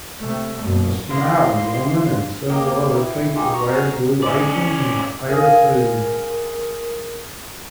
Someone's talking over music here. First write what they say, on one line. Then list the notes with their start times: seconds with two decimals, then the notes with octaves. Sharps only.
A smiling woman and several other people wear blue aprons and prepare food.
0.20 C3 A3
0.61 F#2 B2 A#3
1.10 E3 F3 A#3 C6
2.50 A#3 G4 D#5 A#5
2.94 E4
3.35 D#4 F4 G4 G#4 A#5 D#6
3.54 A#5 C#6
3.69 F#4 G#4 A#4 A#5
4.23 C#4 D5
5.29 G#4 A#4 F5 G#5